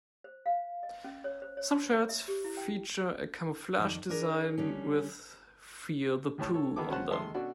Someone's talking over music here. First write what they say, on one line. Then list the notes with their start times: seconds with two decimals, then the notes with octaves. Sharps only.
Some shirts feature a camouflage design with "Fear the Poo" on them.
0.24 C5
0.46 F5
0.83 D#5
1.04 C#4
1.24 C#5
1.42 C5
1.57 C#5
1.71 C6
2.09 E5
2.28 G4
2.44 E4
2.57 G5
3.78 F2 D#3 D5
4.10 D4 G#4 A#4
4.58 D3 G3 C#4
6.38 D#2 A2 C#5 A5
6.54 A4 C#5
6.76 D#3 E3 B3 G#4 A4 D6
6.90 C#4 F#4 C5 F#5 A5
7.10 D#3 G#3 A4 E5 C6
7.34 B2 C#4 D4 F#4 A4